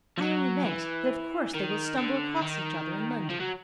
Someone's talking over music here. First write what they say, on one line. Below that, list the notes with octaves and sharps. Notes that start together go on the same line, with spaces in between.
"I only meant that of course they will stumble across each other in London."
F3
F#3
E3
D#3
D3
D#3
F3
F#3